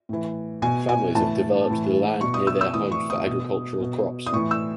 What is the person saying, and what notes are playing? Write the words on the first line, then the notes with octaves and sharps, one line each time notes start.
Families have developed the land near their homes for agricultural crops.
A2 E3
B2 G#5
G#5
A2 E3 A5
A2 E3
B2 C#6
D#6
E6
E6
A2 E3 D#6
C#6
D#6
B2
B2
D#6
A2 E3 C#6
E6